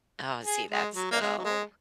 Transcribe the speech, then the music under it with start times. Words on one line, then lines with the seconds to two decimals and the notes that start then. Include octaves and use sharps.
Oh, see, that's Oh.
0.44 G#4
0.70 G#3
0.94 F#3
1.11 A#3
1.21 G#3
1.38 F#3
1.45 G#3